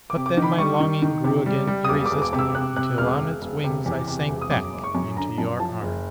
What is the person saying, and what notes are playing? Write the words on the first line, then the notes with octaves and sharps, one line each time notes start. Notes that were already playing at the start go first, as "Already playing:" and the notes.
But then my longing grew again irresistible, until on its wings I sank back into your arms.
D6
C3
D6
D#3
B5
G3 C#6
D#3
D#3
C3
G3
G3
D#6
E1 D6
D6
E1
D6
C3
E6
C3 F#6
C3 F#6
E1 F6
E1
E1
C3
E2
C3
E1
D#6
F#2 D6
F#1
C#6
F#2
D3 A#5
F#2 A5
F3 A5
F#1